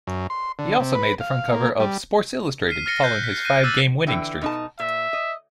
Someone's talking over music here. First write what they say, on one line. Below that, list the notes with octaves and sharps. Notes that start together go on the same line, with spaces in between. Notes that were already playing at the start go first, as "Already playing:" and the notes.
He also made the front cover of "Sports Illustrated" following his five-game winning streak.
F#2
C6
D3
C3
B4
F5
A#3
G3
F6 B6 C7 D#7
F6 A6 A#6 C7 C#7 G7
F#6 G6 C7
B6
F#6 A#6 D#7
D6 E6 F#6 A6 D#7
D3 E3 G5
B2 D#4 A5
A#2 E5
D#5